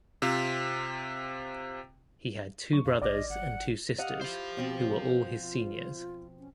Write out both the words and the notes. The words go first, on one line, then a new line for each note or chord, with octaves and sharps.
He had two brothers and two sisters who were all his seniors.
C3 C4 F4
F#3 C#6
F#2 F5
A#1 D5 D#5 D6 F6
G#1 F#5
G4 D#5 F5 F#5
E4 C5 F5
B2 F3 C4
F4
C#4